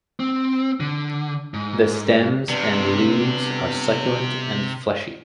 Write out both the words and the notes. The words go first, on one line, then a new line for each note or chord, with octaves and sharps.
The stems and leaves are succulent and fleshy.
C4
D3
G#2
C3 G3 B3 D4